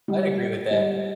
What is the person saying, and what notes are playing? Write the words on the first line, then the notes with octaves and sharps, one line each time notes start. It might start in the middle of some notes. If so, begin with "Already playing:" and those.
I'd agree with that.
G3
G3